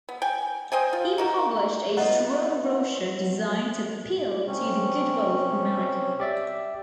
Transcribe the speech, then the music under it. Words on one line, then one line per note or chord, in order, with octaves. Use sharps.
He published a strong brochure designed to appeal to the good will of America.
B3
G5 G#5
C5 D#5 G5 G#5
F4
D#4 F#4 A#4
B3 D#4 F4 D#5 E5 F#5 A#5
C3 C#4
G4 D5 E5